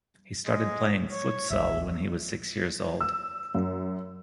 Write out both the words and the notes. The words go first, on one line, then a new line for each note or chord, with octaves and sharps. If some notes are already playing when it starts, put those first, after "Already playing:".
He started playing futsal when he was six years old.
G#3
C#5
A1 D#2 E5
E6
F#2